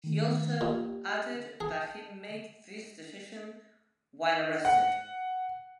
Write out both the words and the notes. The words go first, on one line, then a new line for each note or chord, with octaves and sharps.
He also added that he made this decision while arrested.
D#3 A3
A#2 G4
G#4 A5
F#5